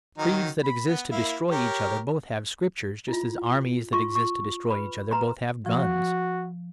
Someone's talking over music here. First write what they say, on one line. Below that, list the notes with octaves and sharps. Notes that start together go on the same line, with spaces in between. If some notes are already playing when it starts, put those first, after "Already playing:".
Creeds that exist to destroy each other both have scriptures, just as armies that exist to destroy each other both have guns.
D#3 F#3 D#4
B5
B3
A#3 E4 F5
G4 A#4 C#5
E4 F4
F4 C6 C#6
C#6
B4 B5
B4 A#5 C6
F3 F#4